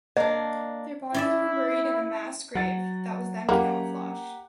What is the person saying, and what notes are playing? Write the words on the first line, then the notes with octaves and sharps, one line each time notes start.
Their bodies were buried in a mass grave that was then camouflaged.
A#3 D4 D#5
C#4 E4 D5 E5
F#3 F#5 A6
F#3 A#3 C#4 G4 F#5 A#5